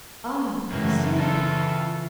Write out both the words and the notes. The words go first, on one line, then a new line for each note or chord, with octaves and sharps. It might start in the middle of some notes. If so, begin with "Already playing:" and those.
"Ah, monsieur!"
F#2 C#3 E3 A#3
F4 A4